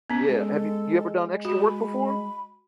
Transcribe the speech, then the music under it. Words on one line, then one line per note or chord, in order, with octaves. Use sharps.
Yeah, have you you ever done extra work before?
B3 C#4
G#3 A4
F#4 B5